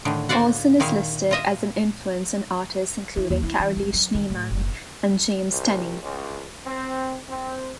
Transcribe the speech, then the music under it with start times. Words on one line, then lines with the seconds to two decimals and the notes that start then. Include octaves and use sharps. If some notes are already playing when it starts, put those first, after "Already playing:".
Olson is listed as an influence on artists including Carolee Schneemann and James Tenney.
0.05 A2 D3 D#3
0.29 F#4 C5 D5 F5 F#5
0.80 A#2 D#3 E4 F5
1.31 F4 D#5 E5
3.17 E3
3.30 D#2
3.43 E4
3.59 E3
3.77 G#1
3.93 F#3
4.14 D#3
4.30 A2
4.51 F#1
5.51 C2
6.02 C#2
6.66 C4
7.29 C4